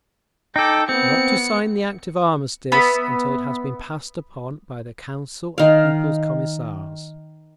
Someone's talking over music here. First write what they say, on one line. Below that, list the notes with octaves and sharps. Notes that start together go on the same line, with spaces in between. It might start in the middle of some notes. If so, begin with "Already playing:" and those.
Not to sign the act of armistice until it has been passed upon by the Council of People's Commissars.
D#4 A4 G5 D6
B3 C4 C#7
B3 E5 B5
D#3 F5